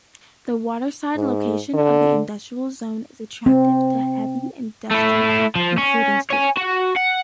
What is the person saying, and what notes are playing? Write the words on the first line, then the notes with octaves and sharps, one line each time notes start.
The waterside location of the industrial zone is attractive to heavy industry including steel.
G#2
D3
C4
A3 E4
F3
C#4
C#5 G#5
F#4
F#5